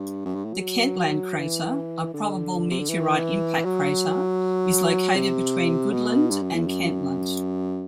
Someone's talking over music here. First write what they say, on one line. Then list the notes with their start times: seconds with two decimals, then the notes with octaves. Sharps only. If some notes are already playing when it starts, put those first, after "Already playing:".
The Kentland crater, a probable meteorite impact crater, is located between Goodland and Kentland.
Already playing: G2
0.25 F#2
0.35 G2
0.45 A2
0.54 F#3
1.39 E3
2.14 D3
2.71 C3
2.80 D3
2.89 E3
3.65 F#3
5.16 C3
5.92 B2
6.30 G2
6.42 F#2
6.55 E2
6.67 F#2